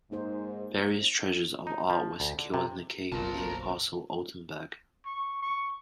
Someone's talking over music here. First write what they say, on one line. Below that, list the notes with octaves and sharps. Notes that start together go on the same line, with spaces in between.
Various treasures of art were secured in a cave near the castle Altenburg.
G#2 A#3 D#4 C5
D#4
F3
D2
D3
C3
F#1 B1 B2 F4 A#4 A5
C5 D5 C#6
C#6
C#6